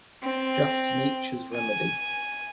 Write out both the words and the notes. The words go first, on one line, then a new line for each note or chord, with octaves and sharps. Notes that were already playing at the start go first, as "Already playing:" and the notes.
Just Nature's remedy.
C4
G#5